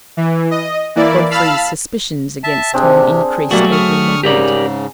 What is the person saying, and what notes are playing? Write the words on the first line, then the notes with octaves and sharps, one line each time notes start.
Godfrey's suspicions against Tom increased every moment.
E3
D#5
E3 A#3 E4 D5
F5 A5 B5 E6 F6
E5 A5
C3 C4 D4 G#4
B2 F#3 G3 A3 A#3 F#4
C#6 D#6 F6
G#2 C#3 G4 A#4 D5